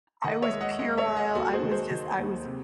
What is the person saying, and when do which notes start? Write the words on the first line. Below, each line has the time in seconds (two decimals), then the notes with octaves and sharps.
I was puerile. I was just I was
0.24 D#3 D#5 F#5
0.42 C#5 E5
0.51 G#3
0.61 D#5 F#5
0.79 G#3 D#5 F#5
0.97 C#5 E5
1.07 G#3
1.16 D#5 F#5
1.35 D#2 F#4 A4
1.53 G#4 C5
1.63 D#3
1.71 G#4 C5
1.91 D#3
2.18 D#2
2.45 C3